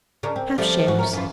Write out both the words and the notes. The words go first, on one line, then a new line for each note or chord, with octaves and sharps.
"Half shares."
C#3 D4 A#4
C4
F3 G3 A3
G#2 F#4
A3 C#4 A#4
F#2 E3 F4